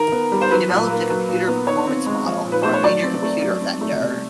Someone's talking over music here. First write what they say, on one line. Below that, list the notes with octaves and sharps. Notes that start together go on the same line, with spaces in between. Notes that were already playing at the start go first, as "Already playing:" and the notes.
He developed a computer performance model for a major computer vendor.
Already playing: D#3 A#4
B3
G3
C5
F#3 B4
A#2
A#3
F#3
A#2
B3
D#3 C#5
C4
G#3
F3
A#2
B4
A3 C5
C#5
F#3 D5
C4
A3
F#3
C4
A3
C3